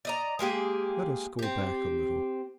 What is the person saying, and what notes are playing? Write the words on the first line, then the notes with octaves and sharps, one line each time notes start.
Let us go back a little.
D5 D#5 A#5
G#3 A#3 G4 G#4
C4 G4